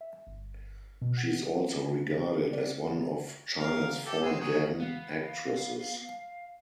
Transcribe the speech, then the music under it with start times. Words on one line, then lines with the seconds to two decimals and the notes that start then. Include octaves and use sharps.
She is also regarded as one of China's Four Dan Actresses.
0.01 E5
0.27 G1
1.02 B2
1.17 F#5
2.53 D5
3.59 A#4 F5
4.06 G4 A4
4.22 G#3 C4
4.40 F#3 G#4
4.80 B3 F5